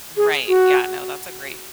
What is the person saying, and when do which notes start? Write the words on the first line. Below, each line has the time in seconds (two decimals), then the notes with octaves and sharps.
Right, yeah, no, that's a great
0.17 G#4
0.48 F#4